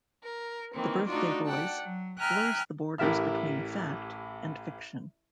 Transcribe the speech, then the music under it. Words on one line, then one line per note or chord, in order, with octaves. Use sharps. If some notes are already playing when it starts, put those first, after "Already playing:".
"The Birthday Boys" blurs the borders between "fact" and "fiction".
A#4
D#3 E3 A#3 C4
A3 D4 D#4 F4 F#4 D5
D5 F#5 G5 A5
F#3
E5 G5 G#5 A#5 F6 F#6
A1 E4 G4 A#4 E5 F6